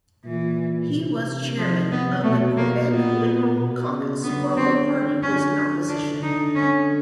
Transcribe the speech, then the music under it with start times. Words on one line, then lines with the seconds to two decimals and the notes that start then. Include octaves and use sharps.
He was chairman of the Quebec Liberal caucus while the party was in opposition.
0.25 A#2 E3
0.91 C3
1.58 F3
1.91 B3
2.23 B2 A3
2.57 A#3
2.90 A#2 B3
3.57 B2
3.90 C#3
4.23 D3 B3
4.57 C4
5.23 C#4
5.89 D4
6.22 D3 D#4
6.55 C#4